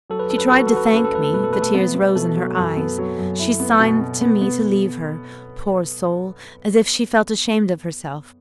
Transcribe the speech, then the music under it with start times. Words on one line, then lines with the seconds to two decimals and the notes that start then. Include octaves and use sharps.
She tried to thank me; the tears rose in her eyes--she signed to me to leave her, poor soul, as if she felt ashamed of herself.
0.10 F#3 A4
0.19 B4
0.30 C#4 A4
0.38 B4
0.48 F#4 A4
0.57 B4
0.67 A4
0.72 F#4 B4
0.85 A4
0.93 C#4 B4
1.04 A4
1.13 A3 B4
1.24 A4
1.33 B2 B4
1.44 A4
1.53 A3 B4
1.62 A4
1.75 B3
1.95 B3
2.16 B2 A4
2.37 F#3
2.57 F#2 A4
2.77 B3
2.98 F#3
3.18 F#2
3.39 E4
3.60 B3
3.80 B2
4.00 B2
4.21 B3
4.41 B3